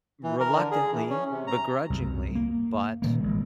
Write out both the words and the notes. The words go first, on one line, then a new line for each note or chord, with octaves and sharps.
reluctantly, begrudgingly, but,
E3
A#4
D3
G#4
E3
C#4
C3
A#5
C2 F#2
A#3
A#2 D#3 A#3
A1 G#3